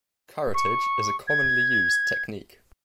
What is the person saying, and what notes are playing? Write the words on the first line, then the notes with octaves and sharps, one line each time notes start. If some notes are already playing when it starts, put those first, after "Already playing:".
Curettage is a commonly used technique.
C#6
G#6